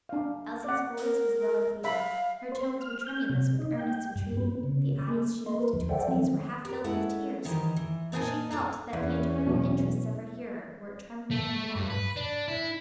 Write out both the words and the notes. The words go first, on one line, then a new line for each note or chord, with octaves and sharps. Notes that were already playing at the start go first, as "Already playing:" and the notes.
Elsie's voice was low and pleading, her tones were tremulous with earnest entreaty, the eyes she lifted to his face were half filled with tears; for she felt that the eternal interests of her hearer were trembling in the balance.
D4 F5
D5 F#5
A#4
E5 F5 B5
C5
F6
G6
C3
D#4
G5
G2
B3
C#3
A#3
A#3 D#5 C6
A#4 B4
E2 D3 F3
A4 C5 D5 E5 F#5 G5
F3 F#3 C4
D#3 C4
G4 A#4
G#3 C#4 E4 A4 F#5
D#3 E3 D#4 G4 C5
E3
A#2 D#4 A#4 B4 G#5 A5
E4 A4 A#5
E2 C#4
B2 F#3 B3
A3
G2
B4
D4
E4